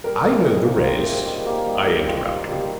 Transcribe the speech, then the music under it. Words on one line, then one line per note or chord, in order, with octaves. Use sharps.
"I know the rest," I interrupted.
G3 A#4
C3
D#3 G#4
A#3
F4
G3 G4
A#4
C3 G#4
D#3 G#4
A#3 G4
G3 G4
C3
D#3 F4
A#3
G3 G4